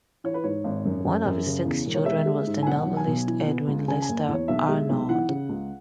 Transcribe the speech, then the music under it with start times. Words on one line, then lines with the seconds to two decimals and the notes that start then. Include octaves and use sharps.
One of his six children was the novelist Edwin Lester Arnold.
0.24 E3 C#5
0.34 B4
0.44 G#2 C#5
0.64 G#1
0.85 F#2
1.05 F#2
1.26 F#2
1.46 C#3
1.65 E2
1.86 E1
1.94 C#5
2.06 G#3 E5
2.26 G#3
2.47 G#2
2.63 G#5
2.67 B1 F#5
2.86 F#3
2.97 G#5
3.07 B2
3.27 E3
3.47 B3
3.67 C#2
3.88 C#3 G#5
4.02 G#5
4.09 F#1
4.28 E2 C#5
4.48 B1 E5
4.69 G#3
4.89 B1
5.09 E3 F#5
5.29 C#3
5.49 C#2